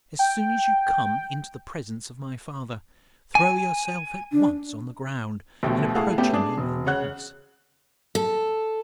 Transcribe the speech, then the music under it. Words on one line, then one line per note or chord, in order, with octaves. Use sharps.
As soon as you come into the presence of my father, throw yourself at once on the ground and approach him on your knees.
G5
G#5
D4
A#1 D#2 B2 A3
A2 E4 G#4 A4 F5 F#5
A3 B3 C#4 G4
G#3 D4 G#4
E1
C#3 C#5 F#5 F#6
A4